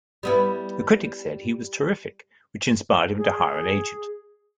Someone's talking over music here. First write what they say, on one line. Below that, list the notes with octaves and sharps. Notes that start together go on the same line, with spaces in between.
A critic said he was terrific, which inspired him to hire an agent.
G3 B3 E4
G#4